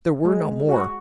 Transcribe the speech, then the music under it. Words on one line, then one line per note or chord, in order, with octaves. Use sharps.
There were no more.
G#3
F#4